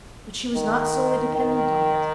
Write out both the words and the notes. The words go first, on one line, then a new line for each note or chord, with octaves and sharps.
But she was not solely dependent on it.
D#3
D#3